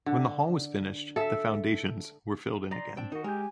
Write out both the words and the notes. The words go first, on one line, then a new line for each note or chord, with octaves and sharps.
When the hall was finished, the foundations were filled in again.
D3
A4 E5
D#4 D5 A#5 C6
C4 D4 G5
D#3 D#4 F#4 A#4
G#3 G4 A#4 G#5 G6